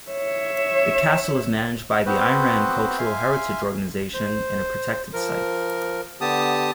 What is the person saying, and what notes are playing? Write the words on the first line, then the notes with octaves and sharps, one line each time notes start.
The castle is managed by the Iran Cultural Heritage Organisation and a protected site.
C#5 E5
B3 C4 F#4 B4 C5
E5 F5 G#5 C6
C5
F3 A#4
D3 B3 G4 A5 D#6